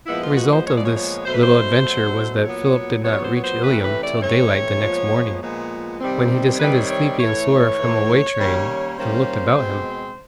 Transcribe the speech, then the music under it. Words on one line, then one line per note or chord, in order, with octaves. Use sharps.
The result of this little adventure was that Philip did not reach Ilium till daylight the next morning, when he descended sleepy and sore, from a way train, and looked about him.
A#2 F3 G#3 B3 E4
F4
F#4
C5
A#2 F3 G#3 B3 C#5
D5
C#5
C#5
B2 F#3 A3 C5
B4
C5
B2 F#3 A3
A#2 F#3 B3 C#5
A#2 F#3 B3 C#5
C5
C#5
C5
C3 E3 A3 C#4 B4
B4
D5
C3 E3 A3 C#4 C#5
A#2 F3 G#3 B3
A#2 F3 G#3 B3
C3 D#3 G3 C4
C3 D#3 G3 C4 B4
C#5
C#5
C#5
A2 E3 A3 C#5
A2 E3 A3
D#3 G3 A#3 C#4
D#3 G3 A#3 C#4 C5
B2 G#3 C4